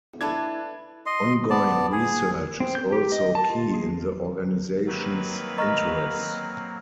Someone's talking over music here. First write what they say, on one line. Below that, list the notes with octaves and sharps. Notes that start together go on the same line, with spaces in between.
Ongoing research is also key in the organization's interests.
D4 E4 A4 B4 D6 G#6
D#5 C6
B3 D5 A5
G#4
C4
G6
G4
D#5
A5
F4
G#4
D#3 F#3 A#3 C4 B4
D#5 A#5 C#6 F6 A#6